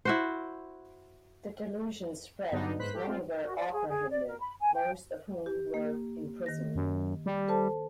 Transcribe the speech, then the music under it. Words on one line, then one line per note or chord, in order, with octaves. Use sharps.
The delusion spread, many were apprehended, most of whom were imprisoned.
E4 F#4 C5
G2 D3 F#3 B3 D4 D#4
G#2 B4 C5 B5 F#6 B6
A3 G4 A4
C4 F4
F#4
D5
G#4
G#4
D5
A#4
B5
G#5
G5
G4
A#3
D#3 A#6
F#2
G3
A4 C5 A5